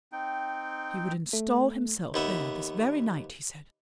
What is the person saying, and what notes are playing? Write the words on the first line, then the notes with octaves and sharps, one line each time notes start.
He would install himself there this very night, he said.
C4 D#4 G5
A3
D#2 B3 E5